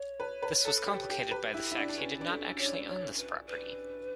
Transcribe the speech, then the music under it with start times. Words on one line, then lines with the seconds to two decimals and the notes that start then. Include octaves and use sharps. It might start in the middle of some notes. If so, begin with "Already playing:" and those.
This was complicated by the fact he did not actually own this property.
Already playing: C#5
0.20 B4
0.42 B4
0.65 A4
0.86 G4
1.09 G4
1.31 B4
1.54 E4
1.71 E4
1.77 D4
1.89 D4
1.98 C#4 B4
2.21 D4
2.28 A4
2.42 C#4
2.58 C#5
2.65 D4
2.88 C#5
3.17 B4
3.47 B4